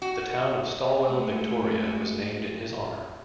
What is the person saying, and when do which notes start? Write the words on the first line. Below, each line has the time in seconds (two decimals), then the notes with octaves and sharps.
The town of Stawell, Victoria was named in his honour.
0.02 F#4
1.08 G#3 A3 F#4